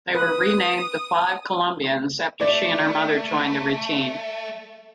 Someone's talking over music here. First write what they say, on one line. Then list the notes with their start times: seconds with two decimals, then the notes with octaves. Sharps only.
They were renamed the "Five Columbians" after she and her mother joined the routine.
0.15 B4 D#6
2.41 A3 D5